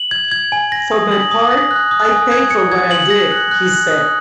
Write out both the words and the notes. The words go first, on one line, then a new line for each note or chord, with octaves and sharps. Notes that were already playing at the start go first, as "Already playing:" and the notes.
"For my part, I paid for what I did," he said.
Already playing: F#7
G#6
G#6
G#5
A#6
D#6
F#7
D#6
A#6
F#6
D#6
G#5
G#6
C#7
G#6
F#7
A#6
F#6
F#6
F#6
D#6